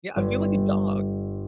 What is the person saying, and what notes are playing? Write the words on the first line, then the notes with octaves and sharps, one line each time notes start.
Yeah, I feel like a dog.
G1